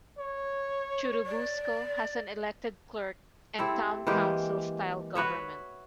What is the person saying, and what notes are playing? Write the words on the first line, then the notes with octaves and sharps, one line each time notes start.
Churubusco has an elected clerk and town council-style government.
C#5
D5
C4 E4 G4 A4
E3 G#3 A#3 G4
F#4 B4 C#5 E5